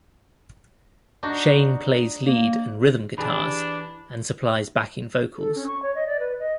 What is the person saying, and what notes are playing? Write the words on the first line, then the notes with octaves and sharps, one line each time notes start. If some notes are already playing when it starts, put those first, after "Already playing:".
Shane plays lead and rhythm guitars, and supplies backing vocals.
D4 D#4 F#4
A#3
E3 D4 G4 G#4 B5
A4
C#4
C#6
C#5
D#5
D5
B4
D#5